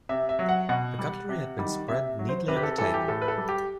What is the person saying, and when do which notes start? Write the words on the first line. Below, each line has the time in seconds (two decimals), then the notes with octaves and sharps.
The cutlery had been spread neatly on the table.
0.09 C3 E5
0.29 E5
0.39 F#3
0.49 F#5
0.69 B2 F#5
0.99 G3
1.29 C3
1.59 D#3 G3
1.88 C3 E5
2.19 F#3
2.29 C5
2.48 C3 B4
2.56 G4
2.63 A4
2.78 E3 G3 A4
2.94 G4
3.08 A2 A4
3.22 B4
3.28 A4
3.38 G3
3.49 G4